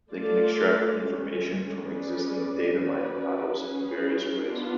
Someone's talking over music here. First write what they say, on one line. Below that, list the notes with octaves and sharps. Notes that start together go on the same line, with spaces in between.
They can extract information from existing data mining models in various ways.
A3 F4 A4 D5
D3 G#3 C#4
C#4 G#4 B4 D5
C#4 F#4 B4 D5
F#3 C#4 G#4 B4
B3 D4 F4